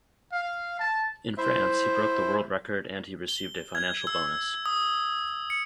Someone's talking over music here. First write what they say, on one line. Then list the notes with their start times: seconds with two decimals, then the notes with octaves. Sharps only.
In France he broke the world record and he received a financial bonus.
0.32 F5
0.79 A5
1.38 E4 C5 E5
3.28 G7
3.75 G#6
4.07 E6
4.66 D#6
5.50 C#7